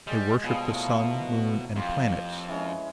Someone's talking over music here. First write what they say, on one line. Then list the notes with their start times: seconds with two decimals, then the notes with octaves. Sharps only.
They worshipped the sun, moon, and planets.
0.07 G3 G#3
0.44 B2 F3 G3 G#4
0.72 A2 A#3
1.76 F2 F4 G4 C5
2.48 E3 G#3 C#4